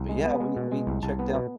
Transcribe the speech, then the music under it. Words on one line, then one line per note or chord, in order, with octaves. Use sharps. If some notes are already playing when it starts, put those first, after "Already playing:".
but, yeah, we we checked out
Already playing: C2
G#3
B3
G#3
B2
G#3
C2
C2 A5
B3
B2